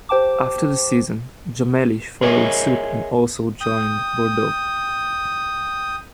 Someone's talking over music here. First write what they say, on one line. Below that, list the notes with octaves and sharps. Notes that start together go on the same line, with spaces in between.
After the season, Jammeli followed suit and also joined Bordeaux.
G4 C5 G5 A5 D6
G#4 A#4 C#5 D#5 E5 G#5
G5 D#6